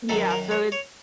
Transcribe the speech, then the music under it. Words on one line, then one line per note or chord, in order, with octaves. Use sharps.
Yeah, so it's
F#2 D#3 F#3 A4
A#4
C#5
C#5